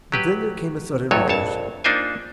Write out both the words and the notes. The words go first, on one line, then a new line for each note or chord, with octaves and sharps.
But then there came a sudden revulsion.
F#3 G4 B4
B1 E2 G2 F#3 A4 C#5
A#1 F2 C#5 A5
A#3 D4 D#4 F4 C5 G#5